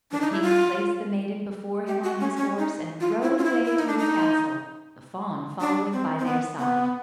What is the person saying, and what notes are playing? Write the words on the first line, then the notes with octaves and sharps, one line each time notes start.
The king placed the maiden before him on his horse and rode away to his castle, the fawn following by their side.
D4
D#4
E4
F4
G4
F#4
C#4
C#4
D#4
F4
E4
F4
E4
E4
D#4
D4
D#4
D4
C4
C4
B3
B3